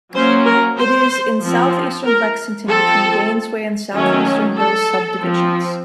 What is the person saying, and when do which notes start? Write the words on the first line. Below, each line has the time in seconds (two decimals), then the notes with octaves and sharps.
It is in southeastern Lexington between Gainesway and Southeastern Hills Subdivisions.
0.14 F#3 A#3 C#4 C5
0.46 A#4
0.78 C5
1.41 F3 C4
2.04 A#4
2.67 F3 C4 A4
3.94 D#3 F#3 A3 C#4
4.57 A4
5.21 F3 C4